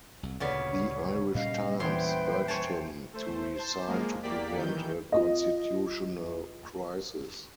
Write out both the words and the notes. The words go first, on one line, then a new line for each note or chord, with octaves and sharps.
"The Irish Times" urged him to resign to prevent a constitutional crisis.
C2
D2 A#2 C#3 B3 C#5 D5
A#2 G3 C#4 D#5 F5
E2 B4 C5 G5 C6
C#5 G#5 A5
A3 C5
C5 A5
F3 G#3 A#3
E2 A#3 G4 D5 B6
D#3 E3 G6
F4 D#5